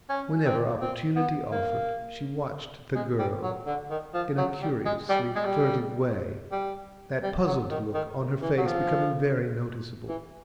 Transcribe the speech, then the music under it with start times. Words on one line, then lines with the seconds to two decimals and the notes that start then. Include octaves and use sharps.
Whenever opportunity offered, she watched the girl in a curiously furtive way, that puzzled look on her face becoming very noticeable.
0.09 C#4
0.45 C4
0.81 C4
1.16 B3
1.52 A#3
2.95 G#3
3.19 G3
3.43 F#3
3.66 D3
3.90 D#3
4.14 F3
4.37 F#3
4.61 G3
4.85 G#3
5.09 G3
5.36 G#3
5.45 G3
6.51 G3
7.23 G3
7.47 F#3
7.71 D#3
7.94 D#3
8.42 E3
8.58 F#3
8.66 F3
10.09 E3